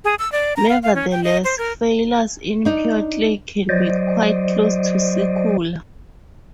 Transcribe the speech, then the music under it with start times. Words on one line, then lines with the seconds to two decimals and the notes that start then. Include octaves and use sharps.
Nevertheless, failures in 'pure' clay can be quite close to circular.
0.04 G#4
0.19 E6
0.32 D5
0.56 A#5
0.69 F5
0.83 F5
0.95 C#4
1.11 G5
1.24 D#5
1.44 C5
1.58 A#4
2.65 D4 D#4
3.69 F#3 C5 D5 D#5